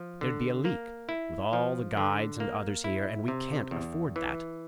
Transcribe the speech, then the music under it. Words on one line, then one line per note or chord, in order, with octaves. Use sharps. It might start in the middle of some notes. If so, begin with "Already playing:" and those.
There'd be a leak, with all the guides and others here, and we can't afford that.
Already playing: F3
D3
A#3
E4
F3
D3
A#3
E4
C3
E2
E3